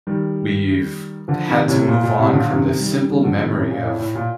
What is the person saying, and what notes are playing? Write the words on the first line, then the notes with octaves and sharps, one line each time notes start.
we've had to move on from this simple memory of
D#3 G3
D3 F3
C3 D#3
A2 C3
A#2
A#2
A2 C3
A#2 D3
C3 D#3
D#3 G3
D#3 G3
D3 F3
C3 D#3
A2 C3
A#2
A2
A2
A#2